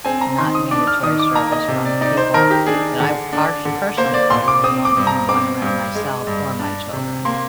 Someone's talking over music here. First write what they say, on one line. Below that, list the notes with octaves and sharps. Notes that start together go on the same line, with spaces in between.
not mandatory service from people that I parsh personally probably wouldn't even want around myself or my children.
C4 G#5
A#5
D#3 C6
D#6
D4 D6
F6
D#3 D#6
D6
A#3 A#5
D#5
C3
D5
D#4 D5
C5
D#3 A#4
G4
D4 G#4
D3
D4
D3
A#3 C5
D5
A#2 C6
D6
C4 D#6
D6
G2
A#5
C4 D6
G2
G#3
G2
D4
C3
A#3 C6